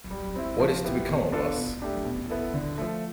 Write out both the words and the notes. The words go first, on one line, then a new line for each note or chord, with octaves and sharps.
What is to become of us?
G3
C4 E4
F3
B3 E4 G4
B2
B3 D4 F4 A4
B2
A3 D4 G4
B2
B3 E4 A4
D3
F3 A3